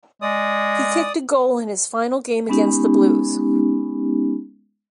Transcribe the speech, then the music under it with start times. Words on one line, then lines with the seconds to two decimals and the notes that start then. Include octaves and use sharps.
He kicked a goal in his final game against the Blues.
0.22 G#3 D5 D#6
2.49 G#3 B3 C#4 D#4 G4